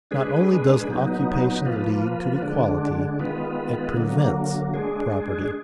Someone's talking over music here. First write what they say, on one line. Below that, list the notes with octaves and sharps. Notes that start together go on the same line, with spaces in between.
Not only does occupation lead to equality, it PREVENTS property.
G#3 D4 G#4 B4
A#2 F#3 B3 D#4
F3 A#3 F4 B4
D3 G#3 D4
D#3 G#3 B3 F4 B4
D3 F#3 A#3
G#3 D4 G#4